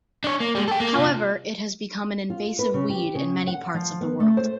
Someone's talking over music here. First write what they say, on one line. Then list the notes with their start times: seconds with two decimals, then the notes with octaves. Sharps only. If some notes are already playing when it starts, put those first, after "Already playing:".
However it has become an invasive weed in many parts of the world.
0.24 D4 C#5
0.40 A#3
0.55 G3 G#3
0.68 A4 G5
0.80 A#3
0.95 C3 F4
2.30 F4
2.59 B4
2.74 C#3
2.89 G4
3.15 C#3
3.47 F#5
3.74 F3
4.01 B3
4.20 A3
4.37 C5